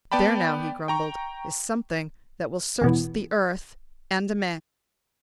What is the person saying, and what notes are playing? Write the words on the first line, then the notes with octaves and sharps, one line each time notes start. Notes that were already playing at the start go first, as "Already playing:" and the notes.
"There now," he grumbled, "is something that will search the earth and a man."
B3 D5 G5 A5 B5
G5 A#5 C#6
E2 B2 E3